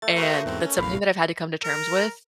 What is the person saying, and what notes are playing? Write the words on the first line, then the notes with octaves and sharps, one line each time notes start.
And that's something that I've had to come to terms with,
A3 A6
A3 F#4 A#4 C5 C#6 D#6
E2 G#2 C4
C#4
A1 E2 F5 B5
A#4